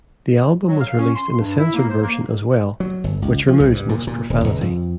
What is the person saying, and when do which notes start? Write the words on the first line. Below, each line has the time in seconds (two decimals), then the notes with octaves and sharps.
The album was released in a censored version as well which removes most profanity.
0.67 F#3
0.80 F5
0.98 C#4
1.16 C6
1.38 G2
1.59 E4
1.74 A#3
1.90 C5
2.02 A#3
2.80 F#3
3.04 G1
3.22 C#2
3.48 F3
3.60 C2
3.73 G2
3.89 A#2
4.07 A#2
4.30 D#1
4.44 C#2
4.61 F2